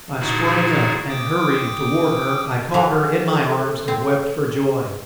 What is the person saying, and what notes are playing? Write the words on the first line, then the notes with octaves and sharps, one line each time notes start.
I sprang up, and, hurrying toward her, I caught her in my arms and wept for joy.
A#2 D3 D#4 E4 F#4 G#4
G5 D6 D#6
E3 F#3 A4
C4